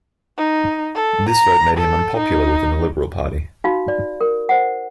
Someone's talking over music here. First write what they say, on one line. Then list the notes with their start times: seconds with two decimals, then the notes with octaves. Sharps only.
This vote made him unpopular within the Liberal Party.
0.38 D#4
0.95 A4
1.29 A#5
1.77 A4
2.17 D#4
3.64 D#4 F#4 F5 B5
3.88 D5
4.21 A#4
4.49 C5 F#5